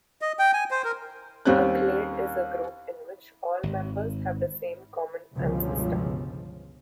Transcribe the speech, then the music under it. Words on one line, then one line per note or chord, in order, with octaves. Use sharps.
A clade is a group in which all members have the same common ancestor.
D#5
G5
G#5
C5
A#4
D#2 G3 C4 C#4 F#6
G#1
G1 C#2 B2 F3